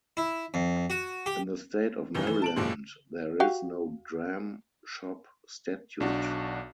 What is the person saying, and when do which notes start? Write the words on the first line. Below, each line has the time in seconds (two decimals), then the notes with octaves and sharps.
In the state of Maryland there is no dram shop statute.
0.17 E4
0.54 F2
0.90 F#4
1.26 G4
2.15 F#2 B2 D#3 E3
2.27 E3
2.42 A5 D7 F#7
2.56 F#1 F#2 A#2 F3 G#3 C6
3.40 F#4 G4 F5
6.00 B1 D4 F#4